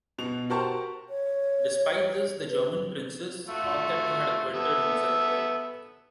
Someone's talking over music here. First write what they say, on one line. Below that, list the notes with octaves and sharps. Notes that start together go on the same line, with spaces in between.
Despite this, the German princes thought that he had acquitted himself well.
B2 B3 F7
F#4 G4 A#4 C5 A5 C#6
C#5
B4
A3 F4 F#4
B3 A4 E5